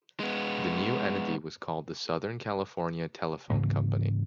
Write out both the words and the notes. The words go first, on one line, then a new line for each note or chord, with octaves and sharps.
The new entity was called The Southern California Telephone C.
G#3 B3
G#2 C#3 E3 A#3